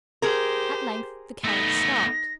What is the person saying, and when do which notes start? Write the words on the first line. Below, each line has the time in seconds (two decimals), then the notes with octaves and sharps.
At length the carriage stopped.
0.22 G4 G#4 A#4 C5
1.45 A3 B3 D#4 A#6